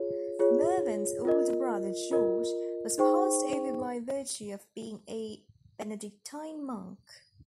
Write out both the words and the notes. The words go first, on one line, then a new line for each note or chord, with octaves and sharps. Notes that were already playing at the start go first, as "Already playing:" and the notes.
Mervyn's older brother George was passed over by virtue of being a Benedictine monk.
Already playing: F4 G#4 C#5
F4 G#4 C#5
F4 A#4 D#5
F4 A#4 D#5
D#4 G#4 C5 G5 C#6